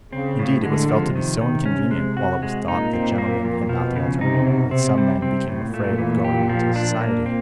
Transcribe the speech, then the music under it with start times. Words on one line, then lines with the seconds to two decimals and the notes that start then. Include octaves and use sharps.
Indeed, it was felt to be so inconvenient while it was thought that gentlemen had not the alternative, that some men became afraid of going into society.
0.13 C#3 C4
0.39 A2
0.64 D3 G#3
0.89 F3
1.16 C3 D#3
1.41 D#3
1.66 C#4
1.91 G#3
2.17 F#4
2.43 G#3
2.68 A#2 D#4
2.93 C4
3.18 A#3
3.45 F2
3.69 B2 F3
3.96 C#3
4.21 C3 D#4
4.47 B2
4.71 C3 C4
4.98 G3
5.22 C3 C4
5.49 A2
5.73 A#2 A3
5.98 E3
6.24 G4
6.49 F3
6.76 D4
7.01 A#3
7.26 C4